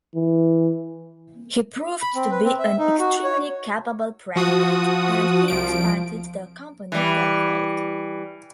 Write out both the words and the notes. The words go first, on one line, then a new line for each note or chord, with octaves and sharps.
He proved to be an extremely capable president, and he expanded the company tenfold.
E3
B5
C4
B4
C4
E5
D#4
F#4
C#5
F3 F#4 D#6
C2 F3 D7
E3 G3